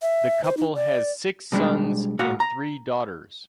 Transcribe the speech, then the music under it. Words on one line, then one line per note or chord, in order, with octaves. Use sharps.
The couple has six sons and three daughters.
E5
C5
D#4
D5
B2 G3 G#3 D4
A#2 F#4 F5 F#5
A#5